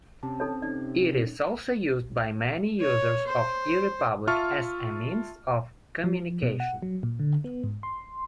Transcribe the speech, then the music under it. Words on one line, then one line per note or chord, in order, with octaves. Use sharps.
It is also used by many users of eRepublik as a means of communication.
C3 C#4 A5
D#4 A4 C#5
C#4 D#4 D5
C#5
C5
F4 E5 A5 C#6 F6
F3
B2
F#5
F#3
A#2
D3
B3
G#2
C6